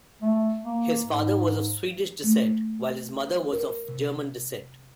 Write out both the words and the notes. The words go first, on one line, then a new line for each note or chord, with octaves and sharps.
His father was of Swedish descent, while his mother was of German descent.
A3
A#3
G#2
A3
A#4
C3